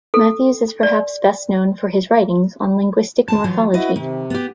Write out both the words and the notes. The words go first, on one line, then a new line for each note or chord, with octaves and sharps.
Matthews is perhaps best known for his writings on linguistic morphology.
A4
D5
D2 G#2 A5
E3 F#3 F4
E4 F#4 B4 D#5
C3 D#3
B3 G4